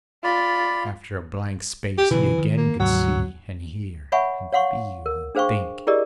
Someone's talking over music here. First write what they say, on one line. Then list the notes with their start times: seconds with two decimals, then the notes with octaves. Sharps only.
After a blank space he again could see and hear and feel and think.
0.24 F4 D5 B5
1.98 G4
2.11 B2 D3 E3 F#3
2.38 D#3
2.57 A#3
2.80 D2 G#2 C3 F#3
4.12 C#5 E5 F#5 G#5 B5 C#6
4.53 C#5 F5 F#5 C6 C#6
5.06 A#4
5.35 D4 G#4 C5 F5 G5 C#6
5.87 E4 G4 G#4 A#4 D5 D#5